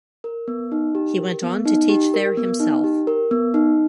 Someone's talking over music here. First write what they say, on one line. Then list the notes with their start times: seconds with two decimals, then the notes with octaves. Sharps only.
He went on to teach there himself.
0.24 A#4
0.48 B3
0.72 D#4
0.95 G4
1.19 A#4
1.43 B3
1.65 D#4
1.89 G4
2.14 A#4
2.37 B3
2.60 D#4
2.84 G4
3.07 A#4
3.31 B3
3.54 D#4